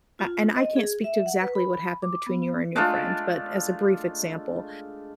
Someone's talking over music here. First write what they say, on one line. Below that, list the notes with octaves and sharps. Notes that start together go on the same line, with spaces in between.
uh and I can't speak to exactly what happened between you and your friend, but, as a brief example,
F4
D#5
G#4
E5
F#5
B4
B5
D6
B3
G#3 A3 D4 F4